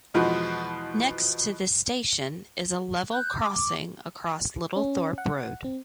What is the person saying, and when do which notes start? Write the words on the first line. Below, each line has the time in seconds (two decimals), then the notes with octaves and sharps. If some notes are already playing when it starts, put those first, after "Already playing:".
Next to the station is a level crossing across Littlethorpe Road.
0.14 E2 B2 F3 G#3
3.12 F#6 G6
3.39 D6
4.76 C#4
5.18 F#5
5.64 C4